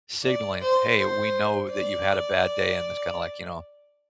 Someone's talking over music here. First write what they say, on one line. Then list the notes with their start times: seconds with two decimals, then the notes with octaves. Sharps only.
signaling, "Hey, we know that you had a bad day," and that's kind of, like, you know,
0.23 D5
0.61 C5
0.97 C5
1.70 D5